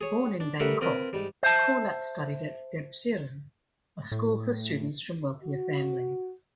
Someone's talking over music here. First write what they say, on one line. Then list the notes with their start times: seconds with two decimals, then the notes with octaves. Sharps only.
Born in Bangkok, Kulap studied at Debsirin, a school for students from wealthier families.
0.01 G#4 C#5
0.40 D4
0.60 G3 A3 A#4 B4 E5 F#5
0.81 C4 F4 A#4 B4
1.13 G#2 G3
1.43 C5 E5 A5
4.12 A2
5.43 F#4